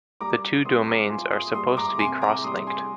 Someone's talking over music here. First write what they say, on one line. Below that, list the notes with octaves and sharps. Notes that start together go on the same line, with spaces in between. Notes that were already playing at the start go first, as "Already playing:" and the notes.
The two domains are supposed to be cross-linked.
G3 A#5 D6
C4 C6 D#6
A#5 D6
F4 G#5 C6
C6 D#6
G3 C6 D#6
A#5 D6
C3 G#5 C6
A#5 D6
G3 C6 D#6
G#5 C6